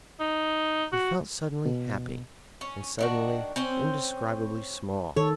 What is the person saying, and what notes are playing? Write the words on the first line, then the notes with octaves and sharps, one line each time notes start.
He felt suddenly happy and suddenly indescribably small.
D#4
F#4
B2
C#4
D#3 D4 F#4
C4 C#4 C5
D#3 A4 C#5